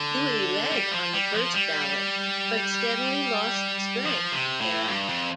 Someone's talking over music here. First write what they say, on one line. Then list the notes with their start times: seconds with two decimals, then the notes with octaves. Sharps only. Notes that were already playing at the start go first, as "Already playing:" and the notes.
Dewey led on the first ballot, but steadily lost strength thereafter.
Already playing: D3
0.71 G3
0.91 F3
1.13 G3
1.33 F3
1.54 G3
4.05 F3
4.32 C3
4.61 A2
4.88 G2
5.09 F2